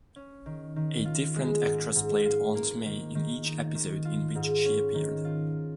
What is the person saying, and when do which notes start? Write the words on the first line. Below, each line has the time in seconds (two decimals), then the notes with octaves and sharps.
A different actress played Aunt May in each episode in which she appeared.
0.16 C#4
0.46 D#3
0.76 D#3
1.05 F4
1.36 G#3
1.65 G#2
1.95 G#2
2.25 F4
2.55 A#3
2.86 D#3
3.15 D#3
3.45 D#4
3.75 D#3
4.05 F4
4.35 G#2
4.65 C#4
4.94 D#3
5.25 F4